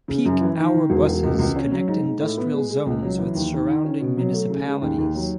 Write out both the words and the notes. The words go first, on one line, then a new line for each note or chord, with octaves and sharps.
Peak hour buses connect industrial zones with surrounding municipalities.
C#3
F#2
E3
D#3
D#3
E1
E1
C#2
C#2
C#4
F#3
G#2
G#2
A2
B3
G#3
G#3
C#2
F#3
E3
D#2
D#3
D#3
C#4
B2
F#3
A3
C#3
G#3
D#2
D#2
F#3